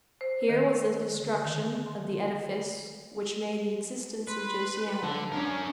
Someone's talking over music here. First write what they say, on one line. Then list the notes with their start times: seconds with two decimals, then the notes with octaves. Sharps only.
Here was the destruction of the edifice which made the existence of Josiana.
0.21 C5
0.49 D#3
1.14 D3
1.46 D#3
1.86 C6
4.28 B4 C6
5.03 D3 A5
5.32 C#4 D4 A#4